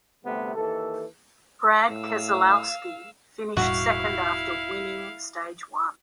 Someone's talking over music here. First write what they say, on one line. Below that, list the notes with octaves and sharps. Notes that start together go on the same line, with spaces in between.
Brad Keselowski finished second after winning stage one.
D2 C3 G3 A3 B3
D#2 E3 A4
A2 F5 E6
E1 A2 G3 E4 F#4 F5